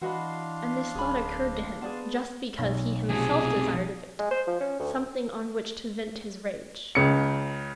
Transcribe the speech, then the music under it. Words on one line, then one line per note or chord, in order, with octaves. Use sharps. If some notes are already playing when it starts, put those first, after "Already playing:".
And this thought occurred to him just because he himself desired a victim, something on which to vent his rage.
E3 D4 F#4 D#5 F5 B5 C6
D1 G#4 B5
B3 G#4 D5 A5
B1
F2 C3 G#4
G#3
C5
F3
C#4
D2
C#2 C#3 C#7